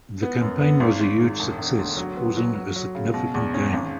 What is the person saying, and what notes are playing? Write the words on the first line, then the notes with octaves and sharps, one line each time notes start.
The campaign was a huge success, causing a significant gain.
B3
F#2
B3
G#1
G#1
G#2
E1
E1
D2
F#3
B3
F#3
F#3
F#3
C#3
B2
E2
C#4
G#1